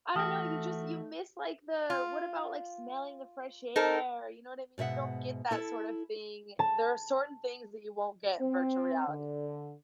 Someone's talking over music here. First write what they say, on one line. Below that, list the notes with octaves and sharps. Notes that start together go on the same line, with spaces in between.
I don't know, you just you miss, like, the what about, like, smelling the fresh air? You know what I mean? You don't get that sort of thing. There are certain things that you won't get in virtual reality.
E3 A3 F#4 A5 D#6 F6
F4
D#4 A4 A#4
G#2 B2 E5 F#5
E4 A4 A5
A5
C4
D3